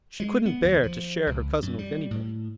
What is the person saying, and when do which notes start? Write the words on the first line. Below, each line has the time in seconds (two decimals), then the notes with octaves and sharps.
She couldn't bear to share her cousin with anybody.
0.20 G#3
0.46 B3
0.64 D#2
0.83 F3
1.27 C#2
1.62 F#2
1.79 G3
2.11 A2